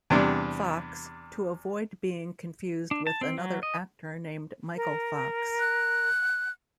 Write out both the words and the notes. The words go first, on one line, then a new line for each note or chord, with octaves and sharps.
Fox, to avoid being confused with another actor named Michael Fox.
E2 C3 G3 D4
D4
A5
C4
F#3
D#5
A#4
F#6